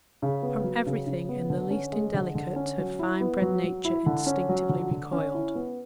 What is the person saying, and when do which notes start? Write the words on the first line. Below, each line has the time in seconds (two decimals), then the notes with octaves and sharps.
From everything in the least indelicate her finebred nature instinctively recoiled.
0.22 C#3
0.43 B3
0.64 F#3
0.86 C#3
1.07 C#3
1.29 B3
1.50 D3
1.71 C#4
1.92 G#3
2.14 D3
2.35 D3
2.56 C#4
2.78 F#3
2.99 E4
3.21 B3
3.42 F#3
3.64 F#3
3.85 E4
4.06 D3
4.27 C#4
4.49 F#3
4.69 D3
4.91 D3
5.13 C#4
5.34 E4
5.55 B3